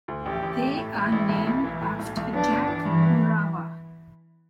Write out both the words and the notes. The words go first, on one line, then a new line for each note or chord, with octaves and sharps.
They are named after Jack Morava.
D2
A1 G4
A1
A3
A2 E4
A1
A1
B1
B1
E3
A2
B1
B1
B3 D4
G1
E3
G2 E3
B3